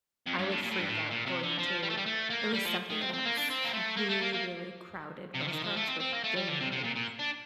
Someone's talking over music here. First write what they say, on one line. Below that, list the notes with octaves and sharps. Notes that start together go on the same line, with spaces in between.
I would freak out going into it was something about s really, really crowded restaurants with dim lights.
F2
G2
A2
A#2
A2
G2
A2
A#2
C3
D3
F3
G3
A3
G3
A3
A#3
G3
F3
D#3
C4
C4
A#3
D4
C4
A#3
A3
A#3
A3
A#3
A#3
C3
D3
F3
D#3
F3
A3
C4
C4
A#3
A3
G3
D3
C3
C3
A#2
A#2
D4